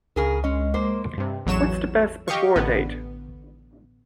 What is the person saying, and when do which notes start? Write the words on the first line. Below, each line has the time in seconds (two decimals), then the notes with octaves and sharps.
What’s the Best Before date?
0.16 C#2 C#3 G#4 A#4
0.44 G#3 C#4
0.74 A#3 C5
1.18 G2 C3
1.46 A1 E2 F#3 C#5 E7
2.28 G4 D#5 F5 C#6
2.56 A1 D3 B3